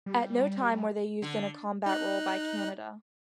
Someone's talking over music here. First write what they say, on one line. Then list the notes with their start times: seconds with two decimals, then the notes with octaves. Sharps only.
At no time were they used in a combat role by Canada.
0.06 G3
1.22 D3
1.86 D#4 F#6